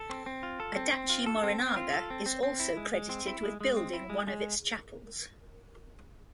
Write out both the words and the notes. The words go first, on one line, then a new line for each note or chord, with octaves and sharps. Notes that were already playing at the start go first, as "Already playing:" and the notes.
Adachi Morinaga is also credited with building one of its chapels.
Already playing: A4
C4
C4
F4
A4
C4
C4
F4
A4
C4
C4
F4
A4
C4
C4
C4
E4
G#3
G#3
C4
E4
G#3
G#3
C4
E4
G#3
G#3